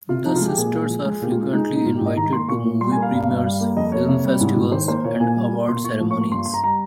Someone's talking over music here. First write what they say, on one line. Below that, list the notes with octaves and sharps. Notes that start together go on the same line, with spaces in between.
The sisters are frequently invited to movie premieres, film festivals, and award ceremonies.
C3 F4
F3 D#4
F4
G#3
G4
A#2 G#4
A#2
F3
G#3
A#2 G4
F4
G#3
F4
G#3 D#4
A#2
D#4
G#2 F4
G4
G#2 D#5
D#3 A#5
A#3 C6
A#2 C#6
A#2
G3 C6
G#5
A#3
F5
G2
G2
G3
A#3
F2 D#5
A#3 C#5
C3
G3
G#2
G#2
D#3 C5
A#3 C5
A#2 C#5
A#2 G#5
G3
A#3
A#2 C6
A#2 C#6
F3
C#6
A#3
C#6
G2 C6
G2 C6
A#5
G3 A#5